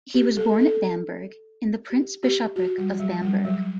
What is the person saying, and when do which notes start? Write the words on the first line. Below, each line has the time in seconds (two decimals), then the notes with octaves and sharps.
He was born at Bamberg, in the Prince-Bishopric of Bamberg.
0.14 G4
0.37 A4
0.59 A4
1.90 G4
2.23 G4
2.56 F#4
2.78 G3
3.00 F#3
3.22 G3
3.45 F#3